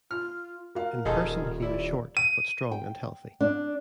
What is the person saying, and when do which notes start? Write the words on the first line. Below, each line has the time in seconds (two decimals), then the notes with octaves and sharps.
In person, he was short, but strong and healthy.
0.11 F4 F6
0.75 F#4 A#4 F5
1.05 D#1 D#4 G#4 A4
1.62 E4 D5
2.17 D#7
2.72 G5
3.41 D4